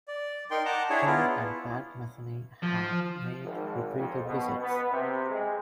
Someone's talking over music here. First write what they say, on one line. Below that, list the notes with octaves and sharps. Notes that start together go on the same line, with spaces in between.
King and Pat Metheny have made repeated visits.
D5
D#4 A#4 G5 C6
F#5 A5 A#5 D6
D4 E4 G#4 C#5
B3 E4 F4
F3
G#1
F2
B2
B3
C3
G#3